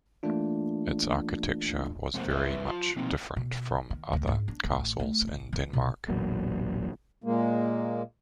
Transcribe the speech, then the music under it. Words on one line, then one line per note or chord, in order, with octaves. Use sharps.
Its architecture was very much different from other castles in Denmark.
E3 A3 A#3 D4 F4
F2 C3 G#3 A#3 C5 F#5
G2 B4 D5 E5
F4 A5
B2 F3 A#3 C4 D#4 E4
B2
D#3
D2
G#2
D4
A1
A3
A1
E3
B2
E1 A1 A#2 F#3
A#2 G#3 A#3